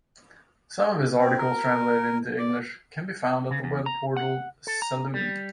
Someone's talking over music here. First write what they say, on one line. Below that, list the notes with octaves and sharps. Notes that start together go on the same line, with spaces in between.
Some of his articles translated into English can be found at the webportal Salon.
C4
A#4
D5
C#3
E2
A#5
F#5
A4
A#5
G3